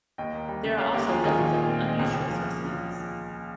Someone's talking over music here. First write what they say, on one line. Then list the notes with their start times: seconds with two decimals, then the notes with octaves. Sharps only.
There are also dozens of unusual specimens.
0.18 D#2 D#5 G5
0.33 A#3
0.48 G3
0.63 C#3
0.78 D#2 C#5 F5
0.94 D#2 G4 A#4
1.09 A#3 F4 G#4
1.24 D#3 F4 G#4
1.39 A#2
1.54 A#2
1.69 C4
1.84 G#3
1.99 C#2
2.14 C#2
2.29 F3